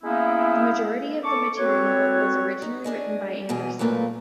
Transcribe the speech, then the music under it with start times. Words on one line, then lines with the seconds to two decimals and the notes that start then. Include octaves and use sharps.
The majority of the material was originally written by Anderson.
0.04 G#3 A#3 B3 C#4 D#4 E4
1.24 A4 C#6 D6
1.59 F#3 C4 F#4 A4 B4 C#5
2.62 D#4
2.84 D4 G#4 D#5
3.49 B2 E3 G#4
3.79 F#2 A#2 A3 A#3 B4